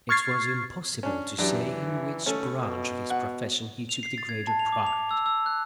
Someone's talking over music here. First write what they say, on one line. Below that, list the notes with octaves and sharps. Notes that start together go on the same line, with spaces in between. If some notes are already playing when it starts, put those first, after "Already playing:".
It was impossible to say in which branch of his profession he took the greater pride.
C#6 F6 G#6 A6 C7
C#4 D4
F#2 E3 D4 G4
D#1 A3 C#4
B2
F#5
F7
C7
A6
G#6
A5
F7
D6
F7
E6
E6
F#6